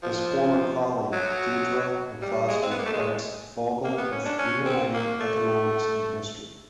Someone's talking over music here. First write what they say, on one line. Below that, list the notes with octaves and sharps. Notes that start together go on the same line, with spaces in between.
His former colleague Deirdre McCloskey credits Fogel with "reuniting economics and history".
F3
F#3
G3
G#3
C4
B3
A#3
A3
G#3
A#3
B3
C#4
D4
C#4
C4
A#3
A3